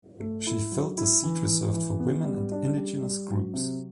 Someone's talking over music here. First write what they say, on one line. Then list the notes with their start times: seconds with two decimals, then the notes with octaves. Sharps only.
She filled the seat reserved for women and indigenous groups.
0.20 A3
0.47 E4
0.72 F#3
0.98 E4
1.24 E3
1.49 E3
1.74 E3
2.00 B3
2.25 G3
2.52 D4
2.77 G3
3.03 G3
3.28 F#3
3.54 C3